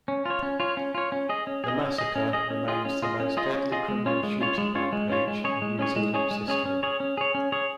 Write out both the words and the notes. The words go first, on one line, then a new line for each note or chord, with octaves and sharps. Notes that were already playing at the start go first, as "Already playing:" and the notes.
The massacre remains the most deadly criminal shooting rampage in New Zealand's history.
C#4
F4 C#5
C#4
F4 C#5
C#4
F4 C#5
C#4
G#4 D#5
C#4
G#4 D#5
C#4
G#4 D#5
C#4
G#4 D#5
C#4
F4 G#4 D#5
C#4
F4 G#4 D#5
C#4
F4 G#4 D#5
C#4
F4 G#4 D#5
G#3
C#4 F4 C#5
G#3
C#4 F4 C#5
G#3
C#4 F4 C#5
G#3
C#4 F4 C#5
G#3
C#4 G#4 C#5
G#3
C#4 G#4 C#5
G#3
C#4 G#4 C#5
G#3
C#4 G#4 C#5
C#4
G#4 C#5
C#4
G#4 C#5
C#4
G#4 C#5